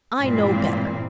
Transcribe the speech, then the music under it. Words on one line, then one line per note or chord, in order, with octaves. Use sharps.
I know better.
G2 A#2 E3 G#3 C4